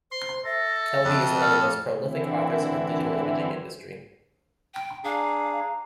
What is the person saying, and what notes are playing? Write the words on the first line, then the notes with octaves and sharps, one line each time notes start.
Kelby is one of the most prolific authors in the digital imaging industry.
C5 C6
A4 E5 A#6
F2 F#6
A4 F6
D3 E3 C4 E4
G5
D4 G#4 F5 A#5